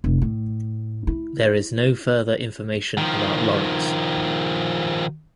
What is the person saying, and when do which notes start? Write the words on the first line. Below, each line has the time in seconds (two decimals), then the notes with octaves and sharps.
There is no further information about Lawrence.
0.04 F1
0.22 A2
1.07 E4
2.98 D#3 F3